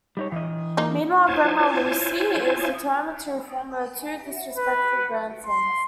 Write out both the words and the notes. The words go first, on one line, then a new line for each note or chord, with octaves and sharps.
Meanwhile, Grandma Lucy is determined to reform her two disrespectful grandsons.
G3 D#4 C#5
E3 D#5
A#3 D#4 F4
E4 F4 C5 C#5 G#5 A5
B4
C6